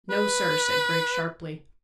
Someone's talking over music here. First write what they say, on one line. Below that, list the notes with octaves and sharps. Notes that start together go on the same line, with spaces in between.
"No, sir," said Griggs sharply.
B4